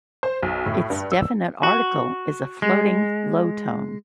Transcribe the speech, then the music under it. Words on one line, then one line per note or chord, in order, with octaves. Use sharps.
Its definite article is a floating low tone.
C5
B1
A2
G2
E6
F#4
G#3